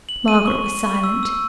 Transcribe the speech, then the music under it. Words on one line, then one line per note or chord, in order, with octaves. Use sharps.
Margaret was silent.
F#7
D#7
C#6
D#7
C#6
E6
E6